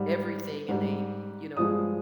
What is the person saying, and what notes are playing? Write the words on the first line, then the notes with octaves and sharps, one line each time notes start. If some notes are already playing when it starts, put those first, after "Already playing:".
everything and they, you know
Already playing: G#2 G3
G#2 G3
G2 F3 G#3 D#6